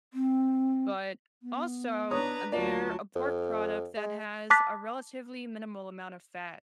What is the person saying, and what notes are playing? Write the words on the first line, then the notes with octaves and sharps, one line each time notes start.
but also, they're a pork product that has a relatively minimal amount of fat.
C4
B3
D4 B4 C#5 A#5 D#6
D2 F#3 F4 D5 A5
F2
G#3
A5 D6 F#6 A6 B6